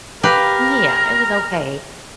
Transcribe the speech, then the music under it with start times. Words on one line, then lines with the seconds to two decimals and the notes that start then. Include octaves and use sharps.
Yeah, it was okay.
0.23 G4 A#4 B4 F5